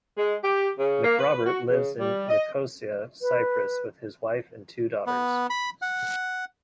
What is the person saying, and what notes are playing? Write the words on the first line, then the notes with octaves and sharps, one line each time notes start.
McRobert lives in Nicosia, Cyprus with his wife and two daughters.
G#3
G4
C#3
A#3
B4
F#4
C#3
G3
D#5
B4
B3
B5
F#5